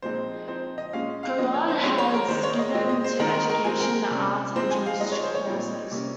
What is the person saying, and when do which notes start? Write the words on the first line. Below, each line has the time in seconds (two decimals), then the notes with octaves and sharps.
Kogod has given to education, the arts, and Jewish causes.
0.02 A#2 F3 G#3 C4 D#4 C5
0.48 F3 C4 D#4 C5
0.78 D#5
0.93 A#2 G#3 C#4 F5
1.23 F5
1.38 F3 A#3 C#4 D#5
1.54 C#5
1.68 C5
1.83 F3 G#3 C4 C#5
1.98 C#5
2.14 A#4
2.28 D#3 G#3 D#4 C5
2.43 C#5
2.59 D#5
2.74 A#2 G#3 C4 D#5
2.89 D#5
3.04 C5
3.20 D#3 G#3 C4 D#4 A#4
3.34 A#4
3.50 A#4
3.64 F3 G#3 C4 G#5
3.80 A#4
4.11 C3 G3 C#4
4.56 F3 G#3 C4 D#4 C5
4.71 G#5
4.86 F5
5.00 F3 G#3 D#4 D#5
5.12 C#5
5.23 C5
5.35 C#5
5.46 A#2 G3 C4 D#4
5.92 C3 G3 A#3 C#4